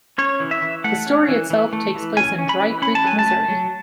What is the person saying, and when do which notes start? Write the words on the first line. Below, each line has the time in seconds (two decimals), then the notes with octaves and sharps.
The story itself takes place in Dry Creek, Missouri.
0.18 C#4 C#5
0.40 E3
0.51 E5
0.62 E3
0.84 A3 F#5
1.06 C#4
1.29 E3
1.50 E3
1.73 A3
1.95 E3
2.17 C#4 G#5
2.39 C#4
2.49 B5
2.60 E3
2.82 C#4 B5
2.95 A5
3.04 F#3 G#5
3.19 A5
3.26 A3
3.48 F#3